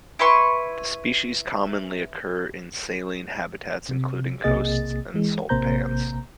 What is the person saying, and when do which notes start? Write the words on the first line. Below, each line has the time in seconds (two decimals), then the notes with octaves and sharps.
The species commonly occur in saline habitats, including coasts and salt pans.
0.19 E4 B4 C6 C#6
3.89 C3
4.43 B1 C3 A#3 G#4 D#5 A6
5.14 E3 G#3
5.49 A1 C3 A#3 C5 A#5 G6